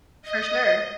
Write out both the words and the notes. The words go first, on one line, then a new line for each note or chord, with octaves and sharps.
For sure.
D#5